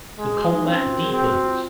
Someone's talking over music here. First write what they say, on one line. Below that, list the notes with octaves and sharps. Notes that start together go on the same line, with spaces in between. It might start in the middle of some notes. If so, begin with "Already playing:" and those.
The combat deepens.
G#3 G#4
F#4
D#4
C4 C#4
F4
F#4
A#4
G#4
C4 F#4
F#4
F4